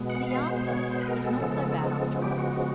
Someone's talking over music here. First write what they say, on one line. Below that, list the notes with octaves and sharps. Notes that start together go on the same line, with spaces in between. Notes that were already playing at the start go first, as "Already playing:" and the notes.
But the answer is not so bad after all.
Already playing: B2 G#3 B3
F#5
F5
C5
C5
C#5
C5
B4
A#4
A4
C#3 F3 G#3 B3
A4
G4
F#4